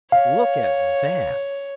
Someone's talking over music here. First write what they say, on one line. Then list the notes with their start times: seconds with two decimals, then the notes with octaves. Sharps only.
"Look at that!"
0.12 C#5 F5